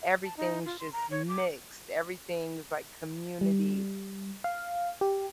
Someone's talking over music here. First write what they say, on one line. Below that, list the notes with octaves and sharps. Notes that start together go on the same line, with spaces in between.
everything's just mixed! Everything's like community,
A5
D#4
F4
C6
A#5
C#5
D6
G3
F5
G4